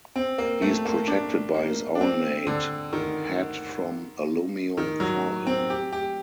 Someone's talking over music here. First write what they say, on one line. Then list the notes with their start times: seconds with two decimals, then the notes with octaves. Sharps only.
He is protected by his own made hat from alumium foil.
0.16 C4
0.38 A#3
0.62 A3
0.85 A#3
1.07 D4
1.54 A#3
1.95 D4
2.01 C4
2.47 D3
2.93 D#3
4.77 D#3
5.00 F#3
5.47 C4
5.70 G4
5.93 G4